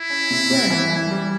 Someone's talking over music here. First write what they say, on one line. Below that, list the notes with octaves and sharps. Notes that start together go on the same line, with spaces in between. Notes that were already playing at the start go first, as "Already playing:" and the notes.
Right. Right, right.
Already playing: E4
C#4
C3
C3
E3
E3
G3